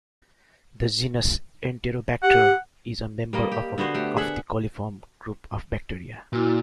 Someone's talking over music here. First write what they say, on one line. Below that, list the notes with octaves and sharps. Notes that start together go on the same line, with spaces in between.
The genus "Enterobacter" is a member of the coliform group of bacteria.
G4 F#5
G3 A#3 D#5
G4
D3 B3 F#4 C5
A3 G4
G#4 E5 F#5
A#2 E4 F#4